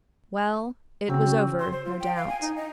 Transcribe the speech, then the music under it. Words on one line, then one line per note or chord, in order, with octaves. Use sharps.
Well, it was over, no doubt.
C#3 F#3 C4
C6
C5
F4
G5
F5
G#5
D#4
D#5